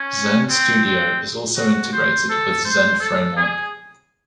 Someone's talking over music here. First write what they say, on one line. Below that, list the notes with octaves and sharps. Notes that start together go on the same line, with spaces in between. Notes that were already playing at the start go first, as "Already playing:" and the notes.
Zend Studio is also integrated with Zend Framework.
Already playing: C#4
C4
C4
F#4
C5
A4
C5
A4
G#4